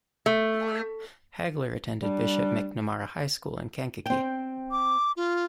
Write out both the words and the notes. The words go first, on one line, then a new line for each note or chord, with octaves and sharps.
Hagler attended Bishop McNamara High School in Kankakee.
A3
G3 D4
C4 G5
D6
F4